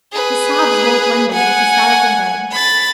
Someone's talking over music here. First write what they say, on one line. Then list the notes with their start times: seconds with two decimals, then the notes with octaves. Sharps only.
His sobs woke Wendy, and she sat up in bed.
0.12 G#4 B4
1.32 F#5 G#5
2.51 B5 A6